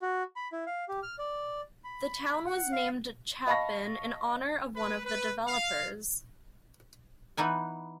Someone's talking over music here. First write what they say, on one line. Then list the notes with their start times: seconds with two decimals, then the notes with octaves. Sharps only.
The town was named Chapin in honor of one of the developers.
0.02 F#4
0.36 B5
0.52 E4
0.67 F5
0.88 G4
1.03 F6
1.18 D5
1.84 B5
2.46 F#5
2.72 F5
3.47 D#5 F5 A5 B5 C#6 A#6
4.75 B4
5.05 B4
5.47 F5
7.37 E3 B3 D#4 G#5